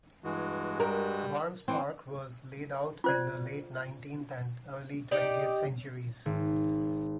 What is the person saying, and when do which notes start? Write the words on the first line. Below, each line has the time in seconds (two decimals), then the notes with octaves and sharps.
Barnes Park was laid out in the late nineteenth and early twentieth centuries.
0.24 G2 E3 G#3 F#4
0.80 G3 A#4
1.68 E3 C4
3.04 F4 C5 D5
5.11 D#4 G4 D5 D#5
6.26 G#1